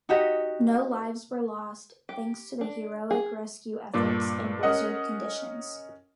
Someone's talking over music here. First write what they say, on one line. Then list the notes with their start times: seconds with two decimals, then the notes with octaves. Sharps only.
No lives were lost, thanks to heroic rescue efforts, in blizzard conditions.
0.09 D#4 F#4 G4 D#5
2.09 G4
2.61 D4
3.11 G#4
3.94 G2 A#2 D4 D5
4.63 C#4 A#4 D#5 F#5